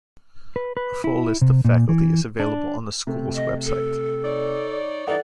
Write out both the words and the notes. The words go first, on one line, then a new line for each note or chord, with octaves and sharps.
A full list of faculty is available on the school's website.
B4
B4
E4
C3
A#2
E3
D4
C3 A3
D#5
A4
D#4 C#5 D5
G2 E3 D#4 A4 D5 F#5